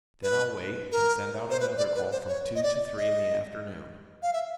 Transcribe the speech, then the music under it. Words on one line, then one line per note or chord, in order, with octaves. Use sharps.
Then I'll wait, and send out another call from two to three in the afternoon.
B4
A#4
C5
B4
D5
B4
C5
C#5
D#5
D5
D#5
F5
E5